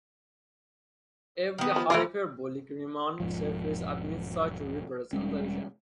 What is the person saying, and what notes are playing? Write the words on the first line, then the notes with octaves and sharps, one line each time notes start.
Every hyperbolic Riemann surface admits such a representation.
D#3 B3
F3
E3 A3 A#3 F4 A#4
E1 G#2 F3
E1 G3 G#3 C#4